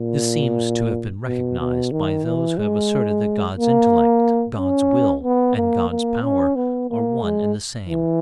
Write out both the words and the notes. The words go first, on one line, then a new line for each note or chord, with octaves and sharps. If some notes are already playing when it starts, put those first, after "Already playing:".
This seems to have been recognized by those who have asserted, that God's intellect, God's will, and God's power, are one and the same.
Already playing: A#2
B2
B2
D#3
E3
G#3
A#3
C#4
B3
A#3
A#3
C#4
B3
A#3
G#3
E3